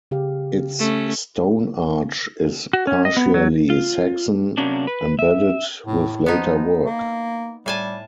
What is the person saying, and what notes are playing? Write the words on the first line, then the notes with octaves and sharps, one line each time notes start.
Its stone arch is partially Saxon, embedded with later work.
C#3 G4 F5
A3 C#4
F#4
C#4
D#5
B3
F#3
F4
C3 E3 F#3 A#3 C#4 D4
B4
E5
A2
F3 B3 D#4
A#3
A2 G3 G#5 A5